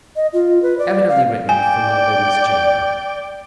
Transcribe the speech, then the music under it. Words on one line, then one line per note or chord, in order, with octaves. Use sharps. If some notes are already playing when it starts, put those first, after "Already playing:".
Evidently written for my lady's chamber.
D#5
F4
B4
D5
F5
D5 G5 G#5